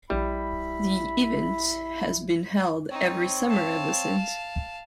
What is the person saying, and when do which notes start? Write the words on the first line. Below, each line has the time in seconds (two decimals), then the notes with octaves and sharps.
The event has been held every summer ever since.
0.10 A#1 G3 E4 B5
2.91 C4 D#4 C#5
3.49 F5 A5